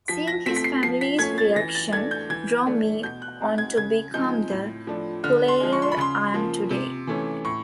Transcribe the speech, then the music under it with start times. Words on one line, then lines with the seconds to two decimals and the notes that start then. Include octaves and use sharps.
Seeing his family's reaction drove me on to become the player I am today.
0.08 F3 B6
0.27 A#6
0.46 A3 C4 B6
0.56 B6
0.64 C7
0.83 F3 C7
1.01 B6
1.19 A3 C#4 G#6
1.38 A6
1.56 E3 A#6
1.75 A6
1.93 A3 D4 G#6
2.11 G6
2.30 E3 G#6
2.66 A3 D4
3.03 B2 G6
3.22 F#6
3.40 G#3 C4 D#4
3.58 G#6
3.77 C#3 G#6
4.14 F3 G#3 C4 D#4 G6
4.50 A2
4.87 F3 A3 D4
5.24 D3 F6
5.48 C6
5.60 F3 G#3
5.73 C#6
5.82 C6
5.92 B5
5.97 C#3 C6
6.34 F3 A#3
6.70 C3
7.07 E3 A3 C#4
7.45 A2 C#6